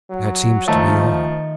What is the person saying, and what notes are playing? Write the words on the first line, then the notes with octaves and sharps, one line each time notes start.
That seems to be all.
F#3
D#3 F3 A3 A#4